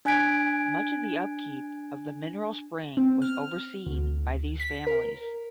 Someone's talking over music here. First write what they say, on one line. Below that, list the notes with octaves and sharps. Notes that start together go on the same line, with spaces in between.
Much of the upkeep of the mineral spring was overseen by these families.
D4 G#5 F#6 G#6 B6 D7
C4
F6
D2
B6
A#4